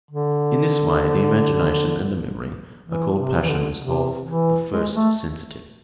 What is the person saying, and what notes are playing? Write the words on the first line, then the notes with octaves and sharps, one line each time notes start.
In this way the imagination and the memory are called passions of the "first sensitive."
D3
E3
C3
E3
D3
C3
E3
G#3
A3